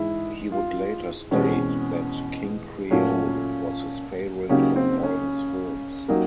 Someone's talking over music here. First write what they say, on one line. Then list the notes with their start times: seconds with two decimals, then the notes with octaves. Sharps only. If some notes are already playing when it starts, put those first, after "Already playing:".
He would later state that "King Creole" was his favorite of all his films.
Already playing: G#2 E3 G#3 E4
0.52 F4
1.31 E2 B2 G#3 C4 C#4
2.91 A#2 F#3 A3 C#4
4.49 C#3 F#3 A#3 C#4 D#4 G4
4.76 C4
5.03 C#4
6.08 F#3 A#3 D#4 G4 A#4